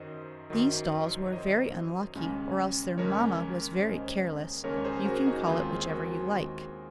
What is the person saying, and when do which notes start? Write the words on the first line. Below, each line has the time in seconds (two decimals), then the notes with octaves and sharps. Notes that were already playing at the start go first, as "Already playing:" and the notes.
These dolls were very unlucky, or else their mamma was very careless; you can call it whichever you like.
Already playing: F#2 D#3 F#3 C5 C#5 D#5
0.50 F#2 D#3 F#3
1.26 C#5
1.32 F#2 D#3 F#3 C5 D#5
2.15 D#2 C#3 G#3 C#4
2.98 D#2 C#3 G#3 C#4 A#4 C#5
3.81 D#2 C#3 G#3 C#4 C5 D#5
4.64 D#2 C#3 G#3 C#4 A#4 C#5
4.76 C#5
4.85 G#4 C5
5.05 F#4 A#4
5.26 D#4 F#4
5.47 D#2 D#3 G#3 C4 F4 G#4
5.89 F#4 A#4
6.30 D#2 D#3 G#3 C4